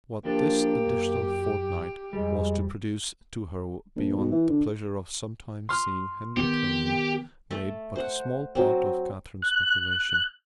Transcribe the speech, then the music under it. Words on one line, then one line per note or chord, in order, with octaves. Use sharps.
What this additional fortnight was to produce to her beyond the pleasure of sometimes seeing Henry Tilney made but a small part of Catherine's speculation.
F3 A#3 D4 G4 A4
F#2
F2 G3 G#3
A#1
B1
E3
D3
C6 F6
D#3 B3 G4
A3 A4 E5
C5 F#5
F#3 C4
F#6